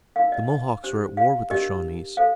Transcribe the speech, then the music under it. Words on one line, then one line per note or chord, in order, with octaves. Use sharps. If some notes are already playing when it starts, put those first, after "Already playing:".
The Mohawks are at war with the Shawnees.
D#4 A#4 F5
D#5
D#5
D4 G4 C5
F5
D4 G4 A#4 D#5
A4 C5 F5